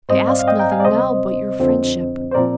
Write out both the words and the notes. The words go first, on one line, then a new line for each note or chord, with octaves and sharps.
I ask nothing now but your friendship.
G#2 G3 C4 C5 D#5
D5 F5
F5
D#5 G5
G5 A#5
F5 G#5
D5
D2 C3 G3 C4 C5 D#5
F2 D3 F3 C4
C5
A#2 F3 C4 A#4 D5